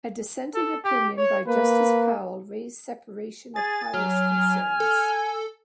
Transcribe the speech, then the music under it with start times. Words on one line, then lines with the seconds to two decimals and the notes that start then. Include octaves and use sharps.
A dissenting opinion by Justice Powell raised separation of powers concerns.
0.54 A4
0.84 G4
1.17 C#5
1.48 A#3 B4
3.56 G#4 G#5 A6
3.94 F#3 F6
4.80 A4